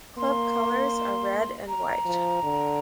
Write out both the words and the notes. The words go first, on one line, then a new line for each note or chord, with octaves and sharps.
Club colors are red and white.
A#3 C6
A#5
F3
D3